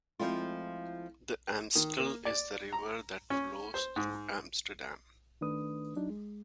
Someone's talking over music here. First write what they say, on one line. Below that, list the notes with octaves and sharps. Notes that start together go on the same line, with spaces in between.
The Amstel is the river that flows through Amsterdam.
F3 G#3 A3 C4 E4 F4
D#3
A#3
D5
A#5
C#4
C5
G#2
D#3 A3 D4 B4 D#6
F#3 D4 D#4
G#3